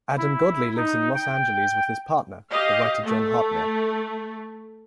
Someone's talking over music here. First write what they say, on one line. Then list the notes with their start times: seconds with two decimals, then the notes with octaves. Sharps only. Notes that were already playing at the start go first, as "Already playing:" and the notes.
Adam Godley lives in Los Angeles with his partner, the writer Jon Hartmere.
0.18 E4
0.77 D#4
1.15 G5
2.50 G4 D#5 F5
3.04 A3